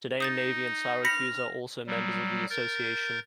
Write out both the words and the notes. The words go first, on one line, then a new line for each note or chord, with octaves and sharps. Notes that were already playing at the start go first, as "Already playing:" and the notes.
Today Navy and Syracuse are also members of the association.
D#4 D#6 G6 A6
B5 F6 A#6 B6 C#7
F#3 G3
A#4 G6 A6